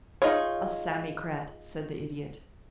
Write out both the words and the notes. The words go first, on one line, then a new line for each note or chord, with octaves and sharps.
"A Sammycrat," said the Idiot.
D#4 F4 G#4 C#5